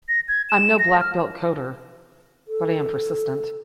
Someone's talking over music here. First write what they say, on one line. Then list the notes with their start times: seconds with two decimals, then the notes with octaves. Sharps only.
I'm no black belt coder but I am persistent.
0.08 A#6
0.28 G#6
0.49 E7
0.79 A#6
1.00 F6
2.48 A4